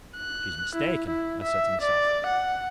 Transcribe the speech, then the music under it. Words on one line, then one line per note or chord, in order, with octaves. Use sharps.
'She's mistaken, I said to myself.
F#6
E4
E4
E5
D5
F#5